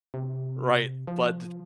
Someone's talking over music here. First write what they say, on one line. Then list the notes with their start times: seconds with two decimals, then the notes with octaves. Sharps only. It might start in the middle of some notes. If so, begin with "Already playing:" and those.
Right. But d
0.14 C3
1.07 F3